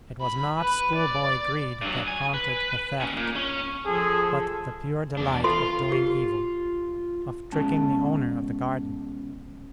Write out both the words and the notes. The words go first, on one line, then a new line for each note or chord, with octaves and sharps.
It was not schoolboy greed that prompted the theft, but the pure delight of doing evil, of tricking the owner of the garden.
B5
B4
D5
G2 F#3
G#5
B4
D#2 C#4
A#2
C#4
F3 G#4 A4
E2 D4
F4 A4 F5 C6
G4
B2 G#3 C#4 A5